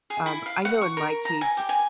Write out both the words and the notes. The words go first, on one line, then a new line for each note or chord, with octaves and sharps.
Um, I know in my case,
G#4
E4
F5
F#5
C#6
A#4
A#5
G#5
G4
G#5